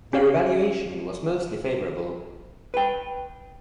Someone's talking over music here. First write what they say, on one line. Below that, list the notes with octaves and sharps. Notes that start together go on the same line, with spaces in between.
Their evaluation was mostly favourable.
C#4 G4 C#5 F5
B4 G5